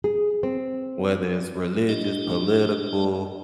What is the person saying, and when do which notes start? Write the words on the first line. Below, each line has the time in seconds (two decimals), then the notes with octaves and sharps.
whether it's religious, political,
0.04 G#4
0.43 C4
1.89 D4 G4 D#5